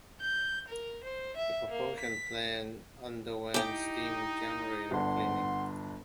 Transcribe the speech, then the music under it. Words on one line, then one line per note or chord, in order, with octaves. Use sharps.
The propulsion plant underwent steam generator cleaning.
G6
A#4
C5
E5
A#3
B6
D#4 E4 G4 G5
G1 D4 F#5 C6